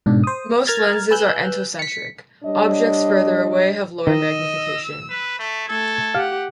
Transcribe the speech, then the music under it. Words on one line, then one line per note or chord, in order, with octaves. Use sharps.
Most lenses are entocentric-objects further away have lower magnification.
G#2 B2 D4
C5 D#6
A#4 A#5 F6 G#6 A6
B4 G#5 E6 F#6 G6
B6 C#7
G3 D4 C#5 D#5
D#3 D#5 E6
B4
A3
A3 A4 G#6
G4 F5 F#5